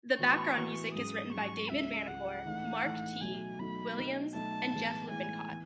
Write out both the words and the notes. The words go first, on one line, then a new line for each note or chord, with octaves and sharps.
The background music is written by David Vanacore, Mark T, Williams, and Jeff Lippencott.
A2 E3 B3 F#4 B4 C#6
A2 E3 B3 F#4 B4
G#2 F#3 C#4 G#4 D#6
G#2 F#3 C#4 G#4 C#6
C#2 C#3 G#3 E5
C#2 C#3 G#3 F#5
A2 E3 A3 D#4
A2 E3 A3 D#4
B2 F#3 A3 D#4 F#4 G#5
B2 F#3 A3 D#4 F#4 B5
B2 F#3 A3 D#4 A4
B2 F#3 A3 D#4 A4 A5
A2 E3 G#3 B3
A2 E3 G#3 B3 G#5
E3 B3